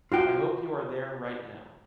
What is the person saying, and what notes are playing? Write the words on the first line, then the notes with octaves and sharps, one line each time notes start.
I hope you are there right now.
F4 F#4 G5